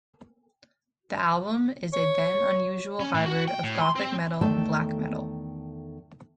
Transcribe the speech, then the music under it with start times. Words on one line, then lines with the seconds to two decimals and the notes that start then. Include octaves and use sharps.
The album is a then-unusual hybrid of gothic metal and black metal.
1.93 C#5
3.00 C#4
3.14 A2
3.26 F#4
3.48 G5
3.64 A2
3.81 C6
3.96 C4
4.41 E2 D#3 A3 A4 G5 A5